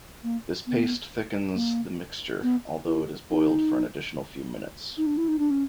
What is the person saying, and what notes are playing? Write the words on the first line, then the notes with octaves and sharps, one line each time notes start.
This paste thickens the mixture, although it is boiled for an additional few minutes.
A#3
B3
A#3
B3
E4
D#4
D#4
D4
E4
D#4
D4
C#4